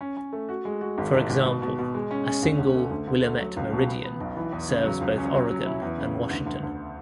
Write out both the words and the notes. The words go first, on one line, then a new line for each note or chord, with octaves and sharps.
For example, a single Willamette Meridian serves both Oregon and Washington.
C#4
C#4
A3
F#4
G#3
F#4
G#1
G#1
G#1
B2
B2
B2
G#3
C#4
C#4
D2
D2
A3
D2
D2
A3
F#3
C#2
B2
B3
B3
B1
E3
E2
C#3
F#3
C#2
C#4
F#3
F#3
E4
E2
C#3
E2
D2
D2
D2